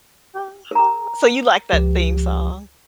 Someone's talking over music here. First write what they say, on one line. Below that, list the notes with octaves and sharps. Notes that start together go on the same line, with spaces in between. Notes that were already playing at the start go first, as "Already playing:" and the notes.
Uh-huh. So, you like that theme song?
A#4 A#5
C#2 F3 G4